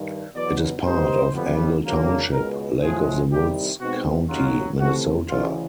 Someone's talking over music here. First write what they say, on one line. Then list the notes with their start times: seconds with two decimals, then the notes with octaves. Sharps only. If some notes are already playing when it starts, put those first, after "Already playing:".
It is part of Angle Township, Lake of the Woods County, Minnesota.
Already playing: G2 D#3
0.35 E2 B2 F#3 B3 D5
0.84 C3 D#3 G3 B3 D#4 C5
1.33 F2 D3 G3 B3
1.83 C#3 F#3 A#3 D4
2.32 C#2 B2 G#3 B3 A#4
2.81 A2 F3 G#3 G#4
3.31 C2 C3 D#3 G3 G4
3.80 B2 G#3 C4 D#4 F#4
4.29 D#2 C#3 F#3 F4
4.78 C3 E3 A3 C4 F#4
5.28 D2 C#3 E3 F4